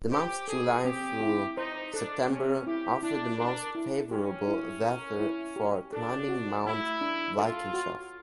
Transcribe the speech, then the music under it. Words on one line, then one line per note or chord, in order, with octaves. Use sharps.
The months July through September offer the most favorable weather for climbing Mount Walkinshaw.
G4 C5
G#4 A4
C4 G4
E4
D#4 C5
D4 A4
C4 C#4
E4 G4
D4 E4
D4 A#4
E4
C#4 G4
E4
A#4
E4
G4
D4 A4
F#4
A3 E4
D4
F4 A4
F#4